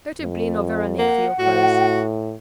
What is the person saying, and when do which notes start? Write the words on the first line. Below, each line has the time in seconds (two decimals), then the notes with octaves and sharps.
Go to Blin or Veronique for your clothes.
0.21 F2
0.99 A#3 F#5
1.39 A2 F#4